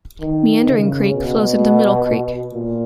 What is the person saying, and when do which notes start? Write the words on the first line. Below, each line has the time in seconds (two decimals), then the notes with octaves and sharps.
Meandering Creek flows into Middle Creek.
0.20 D#3
0.67 C#3
1.14 B2
2.53 A#2